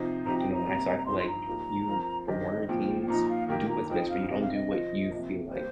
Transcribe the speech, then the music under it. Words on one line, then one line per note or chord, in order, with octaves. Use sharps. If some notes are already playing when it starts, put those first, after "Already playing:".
You know? And so I feel like, you for morning routines, do what's best for you. Don't do what you feel like
Already playing: C3 F3 D#4 C5
C3 F3 C4 D#4 G4 A#5
G5
A#5
C3 G3 A#3
A#5
G2 F3 D#4 C5 C6
C6
A#5
F3 A#3 D#4 G4 A#4
F3 C4 F4 A#4
G2 D#3 C4 G4 D#5
A#2 F3 C4 G5
G5
A#2 F3 D#4 A#5
F5
D#3 A#3 G4 A#4 G5
A#5
F2 F3 C4 D#4 G5
F5
C3 G3 C4 G4 A#4 D#5
F5
D#5
F3 C4 F4
C3 F3 A#3
G3 A#3 G4 C5